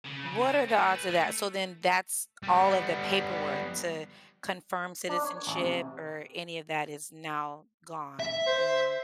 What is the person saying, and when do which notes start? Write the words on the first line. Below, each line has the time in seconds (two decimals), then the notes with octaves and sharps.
What are the odds of that, so then, that's all of the paperwork to confirm citizenship, or any of that is now gone? Mm.
0.05 C#3
0.26 C#3
0.41 C4
0.69 A3 C#4
0.90 B4
1.10 A3
2.43 G3 B3
5.09 D4
5.25 C#5
5.47 A1
5.61 C3
8.20 E5
8.46 C5